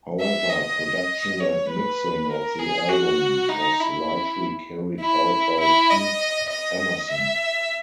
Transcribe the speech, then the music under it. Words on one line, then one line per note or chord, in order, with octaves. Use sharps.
However, production and mixing of the album was largely carried out by Keith Emerson.
E5
D#5
C#5
B4
A#4
G#4
F#4
D#4
E4
E4
E4
D#5
D#5
E5